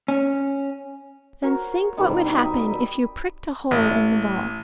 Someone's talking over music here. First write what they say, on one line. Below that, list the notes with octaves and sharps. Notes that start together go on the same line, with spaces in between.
Then think what would happen if you pricked a hole in the ball.
C#4
F#4 A#4 C5 C#5
B2 D#3 G3 C4
D#4 D#5 E5 G5
A1